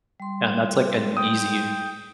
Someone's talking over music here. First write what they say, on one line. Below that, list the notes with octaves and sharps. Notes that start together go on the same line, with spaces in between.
And that's like an easy
G3 C6
G5 D#6